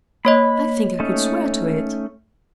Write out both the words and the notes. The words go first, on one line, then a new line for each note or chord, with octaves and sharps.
"I think I could swear to it."
A#3 C#5 D#5 B5
A3 C#4 D#4